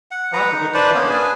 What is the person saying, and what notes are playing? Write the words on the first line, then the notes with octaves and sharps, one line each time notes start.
I'll have to look them up, then.
F#5
B4 F#5 A#5
D#4
D4 B4 C5 D5
A#3 B3 C#4
D4 G#4 B4 G#5